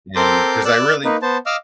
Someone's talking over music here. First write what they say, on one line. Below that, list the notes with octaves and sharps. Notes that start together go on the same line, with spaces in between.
and 'cause I really
C4 A4 A#4 C6 D6 G6
D5 E6 F#6
A#3 D#4 B4
B3 C5 A5
D#5 F5 D6 E6 F6